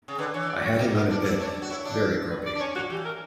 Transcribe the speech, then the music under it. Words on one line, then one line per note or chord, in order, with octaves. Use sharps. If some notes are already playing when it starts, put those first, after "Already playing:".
I had him out of bed — very grumpy.
C#3
D3 B4
E3 C#5
D5
C#5
G3 A#4
A#3
B3 B4
D4 D5
E4 D5
D4 C#5
F#4
E4 C#5
D4
B4
D5
D4
C#4 C#5
A#3 F#4
E3 G4
A#4